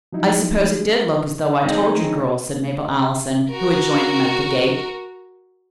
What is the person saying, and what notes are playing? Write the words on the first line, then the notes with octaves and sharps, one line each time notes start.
"I suppose it did look as though I told you girls," said Mabel Allison, who had joined them at the gate.
F3 F#3 D#4 E4
D#3 G#3 C4 C#4 D#4
F#4 A#4